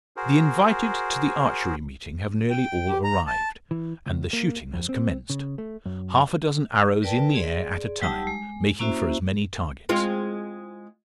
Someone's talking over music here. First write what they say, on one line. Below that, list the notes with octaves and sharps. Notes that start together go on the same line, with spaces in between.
The invited to the archery meeting have nearly all arrived, and the shooting has commenced; half a dozen arrows in the air at a time, making for as many targets.
F#4 G#4 A#4 C5
G5
G4
A#5
A5
E3
C#2
A#3
F2
C4
C#3
A3
F#2
A#4 B4 D5 G5 A5
G#4 D5 C6
F#3 G3 D#4 G4 A5 E6
G#3
A#3 C#4 E4 F#4 C5 E5
G#3 C4 F4